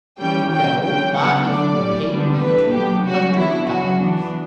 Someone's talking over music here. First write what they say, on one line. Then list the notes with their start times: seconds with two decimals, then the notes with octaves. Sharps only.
"No, not if you paid me two hundred dollars."
0.20 E3 G3 C#4 G5
0.51 C#3 F#3 C#4 G5
0.83 D3 F#3 C#4 G5
1.14 C#3 F#3 B3 D4 F#5
1.46 D3 A3 D4 D5
1.78 A2 G3 C#4
2.10 D3 G3 B3 D4
2.41 E3 A3 D4 B4
2.72 B2 F#3 B3 D4 G4
3.04 C#3 F#3 C#4 F#4
3.35 E3 B3 D4 E4
3.67 C#3 F#3 C#4 F#4
3.99 E3 B3 D4